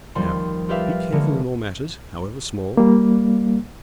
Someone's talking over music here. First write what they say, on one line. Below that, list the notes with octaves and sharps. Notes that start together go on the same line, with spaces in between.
Now, be careful in all matters, however small.
D#2 F3 G3 C6
F4 G4 B4 D5 E5 F5
D3 E3 G#3 A#3 C#4
G3 A#3